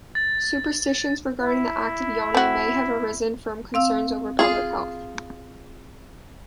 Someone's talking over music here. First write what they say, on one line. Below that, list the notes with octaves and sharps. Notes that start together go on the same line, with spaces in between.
Superstitions regarding the act of yawning may have arisen from concerns over public health.
A6
E4
C4 F#4
C4 F5 E6
F4 G#4